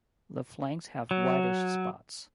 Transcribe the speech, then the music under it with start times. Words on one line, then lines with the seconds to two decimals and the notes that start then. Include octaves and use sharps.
The flanks have whitish spots.
1.11 F#3